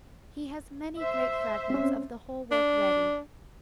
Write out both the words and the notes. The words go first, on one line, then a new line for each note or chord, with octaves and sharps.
He has many great fragments of the whole work ready.
C5 E5
C4 C#4
D4